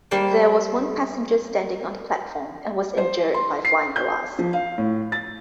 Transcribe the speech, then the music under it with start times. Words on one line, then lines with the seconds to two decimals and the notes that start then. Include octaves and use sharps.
There was one passenger standing on the platform and was injured by flying glass.
0.11 G3 A#3 C5 D5
2.98 C5
3.34 C6
3.65 C7
3.96 G6
4.39 F3
4.53 F5
4.78 A2
5.12 A6